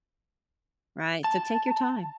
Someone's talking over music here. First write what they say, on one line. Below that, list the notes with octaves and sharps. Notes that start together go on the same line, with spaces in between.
right, so, take your time.
A5